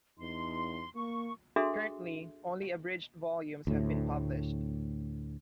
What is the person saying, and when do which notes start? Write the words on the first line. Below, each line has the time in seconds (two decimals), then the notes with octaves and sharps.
Currently, only abridged volumes have been published.
0.19 E2 D#4 C6
0.95 A#3 C#6
1.56 D4 F#4 G#4 A4 E5 C6
3.67 D2 A2